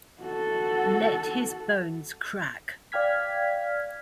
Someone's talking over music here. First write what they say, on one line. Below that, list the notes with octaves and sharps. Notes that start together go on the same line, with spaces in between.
Let his bones crack.
F#4 A4
D5 F5 G5 F6 G#6 B6